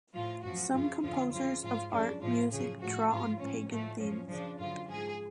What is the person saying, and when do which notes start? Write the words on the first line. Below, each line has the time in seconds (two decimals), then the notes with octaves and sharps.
Some composers of art music draw on Pagan themes.
0.14 A2 F3 F4
0.43 F#2 F3 F#4
0.73 F#2 C#3 F3 F4
1.03 F2 D3 F3 F4
1.33 F2 C#3 F3 F4
1.63 G#2 F3 F4
1.92 F#2 C#3 F3 D4
2.22 A2 F3 F4
2.52 F#2 C#3 F3 G#4
2.81 A2 F3 F#4
3.11 G#2 F3 F4
3.41 A2 F3 C#4
3.70 A2 F3 A3
4.00 F#2 F3 C#4
4.30 F#2 C#3 F3 D4
4.59 F#2 D3 F3 F4
4.89 G#2 F3 G#4